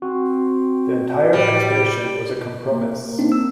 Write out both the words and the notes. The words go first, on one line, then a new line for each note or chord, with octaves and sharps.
The entire expedition was a compromis.
C4 F#4
A2 G3
A#3
C4 D4 D#4
E6